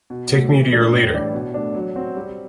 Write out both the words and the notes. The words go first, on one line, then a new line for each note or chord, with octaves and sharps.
Take me to your leader!
B2
F#3 A3
E3
A3 D4 A4
A2
E3 G3 D4 G4
B2
A3 D4
F#3
C4 F#4
G3